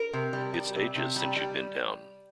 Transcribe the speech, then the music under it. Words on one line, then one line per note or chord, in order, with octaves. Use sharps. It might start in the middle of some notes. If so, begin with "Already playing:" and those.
It’s ages since you’ve been down.
Already playing: A#4
C3
G3
G3
C3
C3
G3
G3